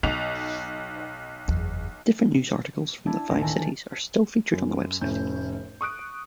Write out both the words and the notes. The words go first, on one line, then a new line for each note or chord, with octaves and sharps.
Different news articles from the five cities are still featured on the website.
B1 D#4 F7
F#1 E2
D4 E4 A5 G#6
A1 D2 A#6
D#3 A#3 E4 A4 G#5 A#5
A4
F#2
F1 A2 C#4 G6
C#6 D#6 F#6 D7